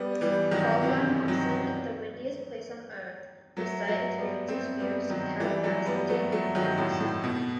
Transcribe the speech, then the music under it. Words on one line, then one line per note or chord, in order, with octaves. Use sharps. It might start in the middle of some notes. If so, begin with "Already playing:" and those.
Called by Mawson "the windiest place on Earth", the site experiences fierce katabatic winds.
Already playing: G3 B3
E3 G3
D#3 F#3
C3 E3
D#3 F#3
F#3 A3
F#3 A3
G3 B3
A3 C4
G3 B3
D#3 F#3
E3 G3
F#3 A3
G3 B3
F#3 A3
F#3 A3
D#3 F#3
A2
A2
B2